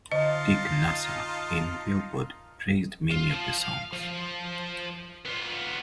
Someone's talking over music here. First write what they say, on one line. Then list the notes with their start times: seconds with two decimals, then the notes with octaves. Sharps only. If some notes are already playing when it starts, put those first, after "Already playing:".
Dick Nusser in "Billboard" praised many of the songs.
0.12 D3 D#4 F4 D#5 A5
3.11 F4
3.30 F3
3.57 F5
3.93 F3
5.25 B3 F4